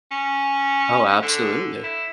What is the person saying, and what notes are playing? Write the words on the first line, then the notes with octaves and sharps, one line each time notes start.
Oh, absolutely.
C#4
D3
E4